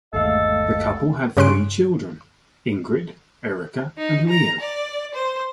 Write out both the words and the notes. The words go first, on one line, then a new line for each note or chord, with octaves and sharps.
The couple had three children: Ingrid, Erika, and Leo.
G1 D#2 G#3 A3 A4 D#5 F5
G2 C#3 C#4 C6 F#6 D7
D#4
A#5
D5
C5